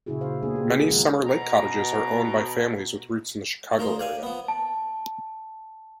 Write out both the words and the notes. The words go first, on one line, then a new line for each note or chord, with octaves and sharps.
Many summer lake cottages are owned by families with roots in the Chicago area.
A#2 C#3 E4 F#4 G#4
C5 F5
A#3 B3 D4 G#4
G4
F4 G#4
D#3 F3 G#3 D#4 F#5
B2 A#5
D2 F3 A#4 C6
D5 F5 G#5
F3 B3
A5